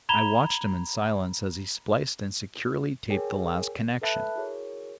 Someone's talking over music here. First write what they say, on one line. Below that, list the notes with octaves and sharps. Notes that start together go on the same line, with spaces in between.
I watched him in silence as he spliced and securely taped the last connection.
A#5 B5 G#6 E7 F7 G7
G#4 A#4 C#5 G5 G#5
A4 B4 E5 A5 B5 F#6
E4 F#4 G#4 A#4 C#5